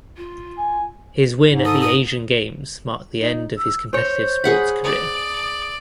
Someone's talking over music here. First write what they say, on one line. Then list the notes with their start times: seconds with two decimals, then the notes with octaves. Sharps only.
His win at the Asian Games marked the end of his competitive sports career.
0.17 F4
0.58 G#5
1.48 G#2
1.65 A4 D#6
1.81 D#6
3.19 D#4
3.57 E6
3.93 C5 C#5 G6
4.44 G#4 F#5 B5
4.84 D5 D#6